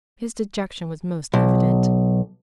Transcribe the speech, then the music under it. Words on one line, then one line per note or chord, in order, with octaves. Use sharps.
His dejection was most evident.
B1